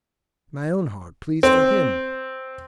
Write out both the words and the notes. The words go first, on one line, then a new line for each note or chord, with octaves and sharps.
My own heart pleads for him.
C4